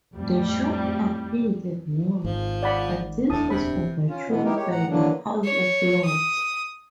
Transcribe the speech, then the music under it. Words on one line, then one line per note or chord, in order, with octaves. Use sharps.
The shop appealed and won, but this was overturned by the House of Lords.
F2 A2 G3
G#1 G#2 F3
D5 F#5 B5
D1 E2 A2 D4 A5 D#6
C3 B5
C#4 F4
B2 E3 G#3 B3
D#4 E4 G4 A#4
G#3 G4 C#5
A2 F#5 A#5
D3 E3 F#3 A#3 D4
C#5
D#6